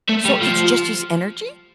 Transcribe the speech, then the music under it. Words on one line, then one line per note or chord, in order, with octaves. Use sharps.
So it's just his energy?
A3
G3
F3